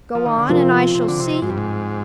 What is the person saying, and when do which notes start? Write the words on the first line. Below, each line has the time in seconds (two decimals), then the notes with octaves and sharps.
Go on, and I shall see?
0.15 F3
0.26 D#3
0.38 D3
0.49 C3 F3 C4 F4 A#4
0.95 C3
1.08 D3
1.20 C3
1.42 G#2
1.50 G2
1.58 G#2